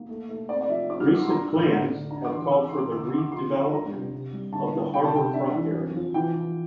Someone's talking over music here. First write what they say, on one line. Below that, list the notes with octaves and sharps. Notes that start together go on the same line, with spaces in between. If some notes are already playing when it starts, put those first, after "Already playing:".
Recent plans have called for the redevelopment of the harbor front area.
Already playing: A#3
A3
A3
C4 D5
D5
F3 E5
C4 D6
F6
E6
E4 D6
C6
D4 A#5
A2 E6
D6
C6
D3 A#5
D4
D4 A#5
D6
E3 C6
C4 E6
D6
E4 C6
D6
D3 E6
D6
D3 C6
D6
F3 C6
F3
D4 A#5
C3
C3
G3
D3 A5
E4
C3 G5
A5
C3 G5
D4 E5
E3
C4
F3
E3 G5
E3